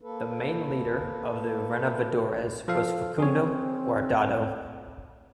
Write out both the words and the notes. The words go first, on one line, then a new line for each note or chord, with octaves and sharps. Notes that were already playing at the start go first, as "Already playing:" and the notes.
The main leader of the Renovadores was Facundo Guardado.
A#3 A4 B4
F3 A4 F5
C4 G#4 C#5